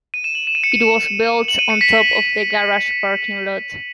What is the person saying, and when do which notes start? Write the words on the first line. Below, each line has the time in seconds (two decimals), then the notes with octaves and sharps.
It was built on top of the garage parking lot.
0.14 D#7
0.24 E7
0.35 F#7
0.47 E7
0.55 D#7
0.64 C#7
0.72 D#7
0.81 E7
1.48 F#7
1.59 D#7
1.70 C#7
1.81 B6